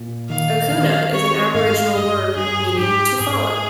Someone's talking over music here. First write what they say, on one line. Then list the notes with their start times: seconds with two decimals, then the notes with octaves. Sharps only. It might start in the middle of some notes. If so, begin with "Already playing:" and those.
Akuna is an Aboriginal word meaning "to follow".
Already playing: A#2
0.29 D#3 F5
0.71 D#3
1.12 C4 C#5
1.54 G#2 F5
1.95 G2 D#5
2.37 G2 G#4
2.78 G#2 G4
3.20 G#2 G#4